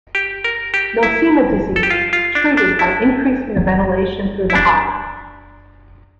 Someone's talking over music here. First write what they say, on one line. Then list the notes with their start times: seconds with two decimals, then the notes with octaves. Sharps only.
Nosema disease is treated by increasing the ventilation through the hive.
0.15 G4
0.44 A#4
0.74 G4
1.03 E4
1.76 A4
1.83 G4
1.90 F4
2.13 F4
2.35 D4
2.57 D4
2.79 E4
4.50 E4
4.55 D4